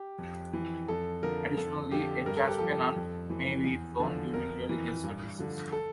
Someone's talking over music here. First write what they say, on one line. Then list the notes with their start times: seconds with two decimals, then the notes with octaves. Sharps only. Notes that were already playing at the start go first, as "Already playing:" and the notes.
Additionally, a Church pennant may be flown during religious services.
Already playing: G4
0.19 F2
0.53 E3
0.88 F2 A4
1.23 D3 F3 A#4
1.57 F2 A4
1.91 D3 F3 G4
2.26 G2 A#4
2.37 A4
2.48 G4
2.58 F3 A4
2.96 F2
3.30 E3
3.64 E2
4.00 D3 F3
4.34 F2 A#4
4.69 E3
5.03 G2
5.39 D3 F3
5.72 A4